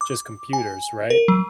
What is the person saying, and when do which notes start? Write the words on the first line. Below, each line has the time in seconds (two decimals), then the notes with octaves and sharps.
just computers, right?
0.01 D6
0.53 G#5
1.10 A#4
1.28 F#3